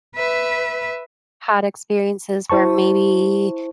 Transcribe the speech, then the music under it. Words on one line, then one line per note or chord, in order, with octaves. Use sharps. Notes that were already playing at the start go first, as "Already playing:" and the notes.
had experiences where maybe,
B4 E5
E4 C5 A5 C#6